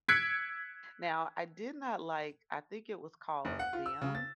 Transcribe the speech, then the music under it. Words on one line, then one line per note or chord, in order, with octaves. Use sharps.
Now, I did not like, I think it was called Them?
E6 F#6 G#6 B6 C#7 D7
F#1
F#5
F4
E6
C#3
A6